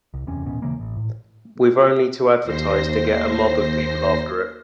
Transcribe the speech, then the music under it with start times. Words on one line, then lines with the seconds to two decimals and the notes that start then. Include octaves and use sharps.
We've only to advertise, to get a mob of people after it.
0.14 C2
0.27 F#1 E2 C3 C#4
0.46 D#1 A1 B2 C#4
0.62 D#1 C#3 E3 A#3
0.80 A1
0.96 A2
2.44 D#2 C5 A#6 C7